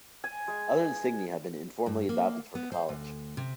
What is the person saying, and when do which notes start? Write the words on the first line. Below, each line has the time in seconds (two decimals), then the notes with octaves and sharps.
Other insignia have been informally adopted for the college.
0.24 G#5
0.48 G#3
1.86 G2
2.09 A#3
2.55 B3
2.72 C5
2.89 D2
3.37 C3